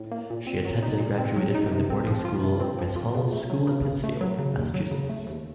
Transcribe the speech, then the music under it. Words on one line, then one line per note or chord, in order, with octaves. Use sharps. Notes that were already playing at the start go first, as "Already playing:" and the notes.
She attended and graduated from the boarding school Miss Hall's School in Pittsfield, Massachusetts.
Already playing: A2
A#3
A#2
C4
F#3
D#4
A#2
C4
F#3
D#4
C3
C4
F3
F4
C3
C4
F3
F4
C#3
A3
F#3
C#3
C#3
A3
F#3
C#3
D#2
F#3
C#3
A3
D#2